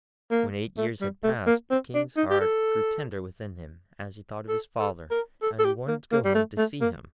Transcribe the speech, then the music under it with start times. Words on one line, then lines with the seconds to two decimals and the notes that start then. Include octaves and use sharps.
When eight years had passed, the King's heart grew tender within him as he thought of his father, and he wanted to go home to see him.
0.31 A#3
0.78 A3
1.01 G3
1.24 A3
1.47 A#3
1.71 C4
1.94 D4
2.17 D#4
2.30 G4
2.40 A4
4.49 A4
4.79 A4
5.11 A#4
5.42 A4
5.59 A4
5.64 G4
5.88 A#3
6.12 A#3
6.24 G3
6.35 A3
6.58 A3
6.81 A#3